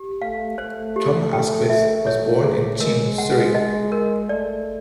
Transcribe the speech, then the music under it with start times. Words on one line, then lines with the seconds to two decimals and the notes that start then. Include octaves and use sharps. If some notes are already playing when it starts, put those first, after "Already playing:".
Tom Askwith was born in Cheam, Surrey.
Already playing: G4
0.22 A3 F5
0.58 A3 C5
0.96 G4
1.33 G5
1.70 E5
2.07 C#5
2.44 G#4
2.80 G#3 A#4
3.18 F#5
3.55 D#5
3.92 A#4
4.29 A3 D5